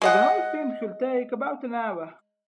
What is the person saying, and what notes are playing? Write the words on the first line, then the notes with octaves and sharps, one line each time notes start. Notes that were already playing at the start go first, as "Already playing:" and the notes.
The whole film should take about an hour.
G#3 D#5 F#5